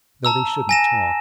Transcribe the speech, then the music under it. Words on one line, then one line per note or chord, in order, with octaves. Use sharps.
Though they shouldn't talk.
A5 A#5 E6
G#5 A#6 E7